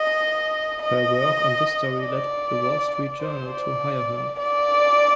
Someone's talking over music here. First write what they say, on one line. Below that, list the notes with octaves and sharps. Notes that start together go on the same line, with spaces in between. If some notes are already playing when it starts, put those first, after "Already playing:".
Her work on this story led "The Wall Street Journal" to hire her.
Already playing: D#5
D#5
D5
C5
D5
D5